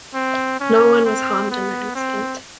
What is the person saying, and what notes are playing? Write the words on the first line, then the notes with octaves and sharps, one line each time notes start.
No one was harmed in the incident.
C4
C#4
C4
B3
C4